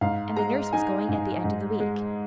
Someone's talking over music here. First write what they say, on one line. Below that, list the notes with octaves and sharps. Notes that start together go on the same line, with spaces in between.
And the nurse was going at the end of the week.
G#2 F5
G#3 A#5
D#4 G#5
G#2
G#2
G#3